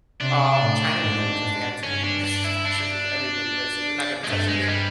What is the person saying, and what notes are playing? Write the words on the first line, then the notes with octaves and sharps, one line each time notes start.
Um, China won't do it 'cause they have too many business ventures with everybody, right? So, they're not gonna touch anything.
C3 D4
A2
G#2
G#2
G2 C#4
D4
D4
E4
D4
G#3
G2 A3
G#3
G3